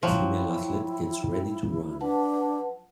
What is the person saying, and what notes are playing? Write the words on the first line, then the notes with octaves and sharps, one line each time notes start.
A female athlete gets ready to run.
F3 F#3 E4 G5
D4 B4 F#5 A5